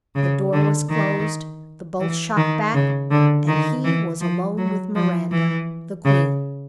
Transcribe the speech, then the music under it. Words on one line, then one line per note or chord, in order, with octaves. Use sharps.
The door was closed; the bolts shot back!--and he was alone with Miranda, the queen.
C#3
D3
D#3
E3
D#3
C#3
D3
D#3
E3
F3
F#3
F3
E3
C#3